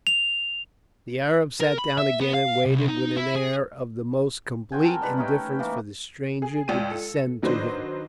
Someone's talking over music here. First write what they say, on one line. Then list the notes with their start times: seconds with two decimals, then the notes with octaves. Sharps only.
The Arab sat down again and waited with an air of the most complete indifference for the stranger to descend to him.
0.07 F7
1.61 A#4
1.79 B5
1.98 E5
2.21 B3
2.34 F5
2.66 C2
2.88 D#4
3.17 E4
3.35 G#4
4.72 C4 F#4 G5 G#5
4.85 A4 A#4
5.01 G3 G#3 B4
5.17 A3 C#4 D#4 G5
5.59 E3 A#3
6.42 G#4
6.68 C#2 D5 G5 D#7
6.91 A4
7.42 D#3 F#3 D4 B4 C5 D#5